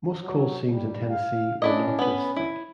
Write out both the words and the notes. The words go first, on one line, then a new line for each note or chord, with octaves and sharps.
Most coal seams in Tennessee were not this thick.
F#3
G3
F5
C#4 D4 E4 D#5
B3 B4
E4